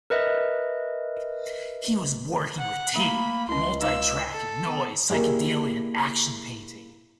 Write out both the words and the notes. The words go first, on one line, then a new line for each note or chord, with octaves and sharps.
He was working with tape multi-tracking, noise, psychedelia and action painting.
A#4 B4 D#5 E5
F#5
A3 A#3 A#5 B5
C#2 C#4 E4 C6
D#4 C5 F5 E6
A4
B3
A#3 E4 G4 G#4 D5